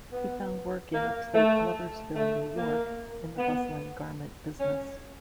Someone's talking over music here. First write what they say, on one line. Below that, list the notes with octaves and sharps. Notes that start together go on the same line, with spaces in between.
He found work in upstate Gloversville, New York, in the bustling garment business.
B3
A#3
A3
A3
A#3
B3
C#4